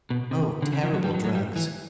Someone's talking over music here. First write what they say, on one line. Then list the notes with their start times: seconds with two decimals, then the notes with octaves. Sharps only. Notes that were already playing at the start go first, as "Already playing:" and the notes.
"Oh! terrible drugs."
0.10 B2
0.31 C3
0.62 D3
0.73 C#3
0.83 F3
0.94 F#3
1.04 G3
1.14 F#3
1.25 F#3
1.35 G3
1.56 E3